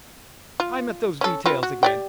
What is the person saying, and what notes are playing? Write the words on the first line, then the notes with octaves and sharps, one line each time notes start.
I'm at those details again.
F4
C#4 A4
C4 F4 B4
F#4
G4 D5 G5